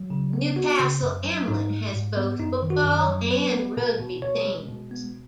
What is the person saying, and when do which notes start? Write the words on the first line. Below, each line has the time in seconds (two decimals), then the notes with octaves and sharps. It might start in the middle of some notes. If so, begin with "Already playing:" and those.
Newcastle Emlyn has both football and rugby teams.
Already playing: F#3
0.10 C#3
0.33 B3
0.56 B3 F#4
0.79 C#3
1.02 F#2
1.24 F#3
1.48 G#2 D#4
1.70 G#3
1.94 G#2
2.17 B3
2.39 F#2 D#4
2.62 D#3
2.70 F#4
2.85 F#2
3.00 C#5
3.08 F#3
3.31 B3 B4
3.54 B3
3.77 B2
3.99 B2
4.22 B2 C#5
4.45 G#3
4.68 B2
4.91 B3